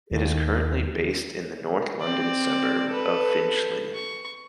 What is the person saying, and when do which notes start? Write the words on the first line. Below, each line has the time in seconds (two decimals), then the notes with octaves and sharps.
It is currently based in the North London suburb of Finchley.
0.11 D#2
2.00 C4 D5
2.89 A4 B4
3.94 C#6